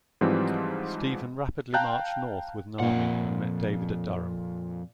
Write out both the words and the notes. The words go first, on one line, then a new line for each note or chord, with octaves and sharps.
Stephen rapidly marched north with an army and met David at Durham.
G#2 E3 F3 G3 C4
F5 G5 A5 A#5 F#6 G6
F2 A#2 F#5